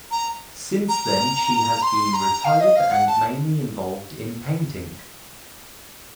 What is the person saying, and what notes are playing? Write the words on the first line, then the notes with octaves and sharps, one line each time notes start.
Since then she has been retired and mainly involved in painting.
A#5
A#5
C6
A#5
F5
D#5
F5
F#5
A5